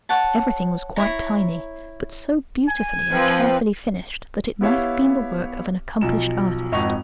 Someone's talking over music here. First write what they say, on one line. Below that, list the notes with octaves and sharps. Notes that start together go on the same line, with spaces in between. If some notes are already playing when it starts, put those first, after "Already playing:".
Everything was quite tiny, but so beautifully and carefully finished that it might have been the work of an accomplished artist.
C#5 F#5 A5
E4 C#5 A#5
G#5
F3 C4 B4
B3 E4 G4 C#5 E5 F5
B1 F3 E7
G#1 F2 D#5 F#5 C#6 F7